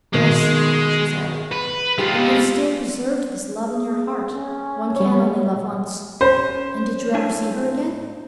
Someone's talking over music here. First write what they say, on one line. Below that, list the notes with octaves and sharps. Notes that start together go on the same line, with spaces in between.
"Yes," she said, "and you have still preserved this love in your heart--one can only love once--and did you ever see her again?"
B2 D#3 G#3
B4
G#3 F4 G4
G#4
C#4
G3 C#5
C#4 C5
A2 D4 G#5